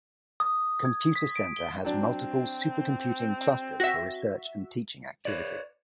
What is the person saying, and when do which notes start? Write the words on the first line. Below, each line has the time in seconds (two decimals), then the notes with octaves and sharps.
Computer centre has multiple super computing clusters for research and teaching activity.
0.40 D#6
0.85 G#6
1.15 B6
1.36 D7
1.56 G7
1.85 F#3 C4 D4
3.80 F#4 E5 A#6
5.25 B4 C#5 D5